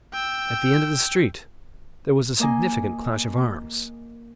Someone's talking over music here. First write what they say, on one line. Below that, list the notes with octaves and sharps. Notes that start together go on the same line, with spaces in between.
At the end of the street there was a significant clash of arms.
G5 E6
A#3 D#5 G#5